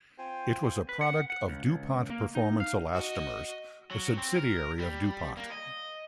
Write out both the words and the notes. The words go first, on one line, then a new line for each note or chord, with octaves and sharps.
It was a product of DuPont Performance Elastomers, a subsidiary of DuPont.
C4 F4 C5 G5 G#5
B4
F#5
F#5
C#2
C#2
A#3
D#4
F5
F#4 D#5
F#3
C4
A#4
G3
A#3
D#5